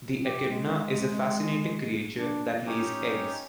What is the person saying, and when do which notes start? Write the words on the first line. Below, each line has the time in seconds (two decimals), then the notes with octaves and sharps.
The echidna is a fascinating creature that lays eggs.
0.23 G4
0.48 G#3
2.12 D4
2.67 C#4 D#4 G4 C#5